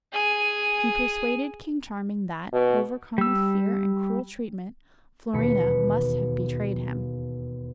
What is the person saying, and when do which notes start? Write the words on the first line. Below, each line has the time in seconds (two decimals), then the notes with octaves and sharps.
He persuaded King Charming that, overcome with fear and cruel treatment, Florina must have betrayed him.
0.13 G#4 G#5
2.53 B2
3.18 G3 E6
5.33 E1 D#2 B2 B5 B6 C#7